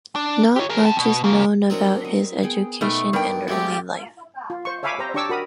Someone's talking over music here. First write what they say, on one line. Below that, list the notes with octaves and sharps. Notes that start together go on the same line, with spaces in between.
Not much is known about his education and early life.
D4
G4 C#5
G#4 A#4
C4 A5
B2
C#3 A#3
F#3 C4 D4 A#4 D#5
D#5
B3 G#4 G5
B2 A3 D#4 G5
G2 D#3 G3 B3 D5 G5
G#3 A3 C4 F#4 G4
F4
C5 C#6
C#5 E5 F5 G#5 B5 D6
G4 C5 A#5
D4 G4 C#5 C#6 D6 E6
F#4 A#4 B5 D#6